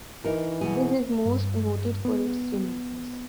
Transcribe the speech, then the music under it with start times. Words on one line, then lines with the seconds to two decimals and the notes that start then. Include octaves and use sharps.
This is most noted for its remoteness.
0.25 E3 D#4 A#4
0.61 B2 G#4
1.25 G2
2.05 B3